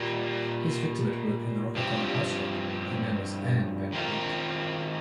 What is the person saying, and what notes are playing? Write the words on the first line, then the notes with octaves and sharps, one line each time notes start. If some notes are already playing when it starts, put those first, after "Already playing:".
His victim had worked in the Rockefeller household; her name was Ann Vanderbeak.
Already playing: A#2 G3 A#3
G2 F3 C4 G4
D#3 C4 F4 A#4